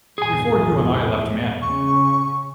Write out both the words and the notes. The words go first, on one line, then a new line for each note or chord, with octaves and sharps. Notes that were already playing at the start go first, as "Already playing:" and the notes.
Before you and I left Manon.
A#1 E2 G#2 G#4 G#5
C#3 C#4 C#6